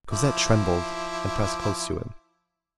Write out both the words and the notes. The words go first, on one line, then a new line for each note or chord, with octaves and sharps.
Cosette trembled and pressed close to him.
F3 E4 D6